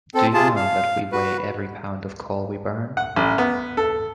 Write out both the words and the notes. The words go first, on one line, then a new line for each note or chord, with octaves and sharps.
Do you know that we weigh every pound of coal we burn.
C4 A4
C3 F4 G#4 A5
F5
F#4 B4
F#5
A1
B3
A4